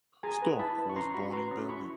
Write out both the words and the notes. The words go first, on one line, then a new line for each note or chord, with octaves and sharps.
Storck was born in Berlin.
G#4 G#5 A#5
B4
E4 A5 B5
B4
C#6
C#4 A#5 C6
F#4 B5 C#6
B4 A#5 C6
C#4
E4 B5 C#6